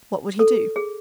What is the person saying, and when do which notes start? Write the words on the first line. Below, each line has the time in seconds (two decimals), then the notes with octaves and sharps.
What would he do?
0.39 A4
0.76 G#4